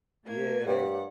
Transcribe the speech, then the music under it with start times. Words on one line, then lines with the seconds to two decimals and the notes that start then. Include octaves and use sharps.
Yeah, they,
0.24 A3 A#3 G#6
0.67 G2 G4 C#5 F#5